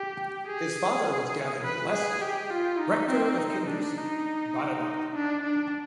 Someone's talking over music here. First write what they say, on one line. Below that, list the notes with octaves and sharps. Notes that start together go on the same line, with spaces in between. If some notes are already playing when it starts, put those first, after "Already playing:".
His father was Gavin Lesley, rector of Kingussie, Badenoch.
Already playing: G4
G#4
B4
G#4
G4
F4
D#4
C4
D#4
D4
D#4
D4
D4